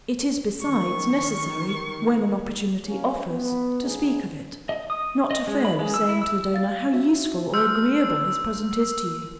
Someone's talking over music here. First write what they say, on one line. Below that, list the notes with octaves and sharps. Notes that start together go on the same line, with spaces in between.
It is besides, necessary, when an opportunity offers, to speak of it, not to fail of saying to the donor, how useful or agreeable his present is to you.
D#3 C#6
F#3 G#3 A#3 C#4
B3
A1 F3 B3 D#4 G#4
D#5
D#6
D#5
G#3
B5
G#3
E6
E4
E6
F5 A6
F#4 E5
C6 E6 F6 G6